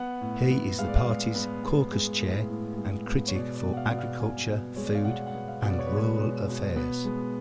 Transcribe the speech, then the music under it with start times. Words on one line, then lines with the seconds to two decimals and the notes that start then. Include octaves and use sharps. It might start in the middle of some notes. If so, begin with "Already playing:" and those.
He is the party's Caucus Chair and critic for Agriculture, Food and Rural Affairs.
Already playing: B3 F#5
0.21 A2
0.51 B3
0.79 G#3 F5
0.88 D5
0.96 F5
1.07 G#3
1.35 B3
1.64 B3
1.92 G#3
2.21 A2
2.50 A2
2.78 G#3
3.06 B3
3.28 C#5
3.35 B2 D5
3.56 D5
3.63 B2
3.73 F#5
3.77 F5
3.91 B2 D5
3.98 F5
4.20 B2 G#5
4.48 B2
4.76 G#3 C#5
4.85 D5
4.95 F5
5.05 B2 F#5
5.27 F#5
5.34 B3
5.48 F5
5.62 B2
5.70 D5
5.79 C#5
5.87 B4
5.91 G#3
5.96 C#5
6.18 B2
6.48 B2
6.76 B3
7.05 G#3